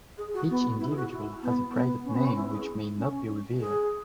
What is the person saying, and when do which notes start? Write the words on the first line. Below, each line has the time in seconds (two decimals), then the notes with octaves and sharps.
Each individual has a private name which may not be revealed.
0.18 G#4
0.34 F#4
0.50 B3
0.80 E4
0.90 G#4
0.96 F#4
1.11 E4
1.43 B3
1.74 B3
2.05 C#4
2.15 B3
2.25 C#4
2.36 E4
2.51 G#4
2.98 C#4
3.60 G#4